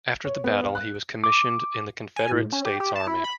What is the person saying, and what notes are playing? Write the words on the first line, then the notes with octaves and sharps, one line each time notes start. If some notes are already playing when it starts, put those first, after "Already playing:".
After the battle, he was commissioned in the Confederate States Army.
C#5
B3
F5
F#6
D6
G#5
A2
C#4
G4
G4
A5
E4
B5